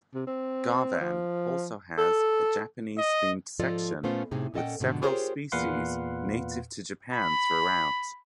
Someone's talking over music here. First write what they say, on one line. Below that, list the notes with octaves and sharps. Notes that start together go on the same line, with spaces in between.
Garvan also has a Japanese-themed section with several species native to Japan throughout.
C3
C4
F3
A4
D#5
G#2 F3 F4 A4 D5 D#5
A#2 A3 B3 C#4 F4 C5
A2 C3 D#4 G#4
A#2 C#4 A4 D#5 F#5 G5
G#2 B2 D3 F3
F4 G4 G#4 A#4 C5 C#5
E2 A#2 B4 F5 F#5 C6
B5